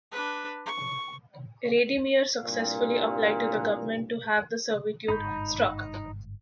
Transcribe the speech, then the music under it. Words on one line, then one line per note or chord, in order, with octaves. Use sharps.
Rademeyer successfully applied to the government to have the servitude struck.
D4 B4
C#6
C2 G2 A#2
G1 G#2 G#3 D#4 B5 G6